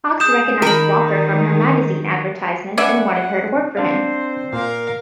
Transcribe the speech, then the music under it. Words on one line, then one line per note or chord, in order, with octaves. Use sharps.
Hawks recognized Walker from her magazine advertisements and wanted her to work for him.
G#4 D#6 G6 E7
D#3 A#4 B5
C#4 B4 D5 E5 F#5
C4 D4 C5 F5
A#2 A#4 F5